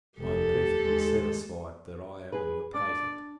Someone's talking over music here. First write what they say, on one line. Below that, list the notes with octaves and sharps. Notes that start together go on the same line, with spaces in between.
I am perfectly satisfied, that I am in the patent.
F1 D#2 G4 A4
D#2 G#3
G#4 B4
D4 D5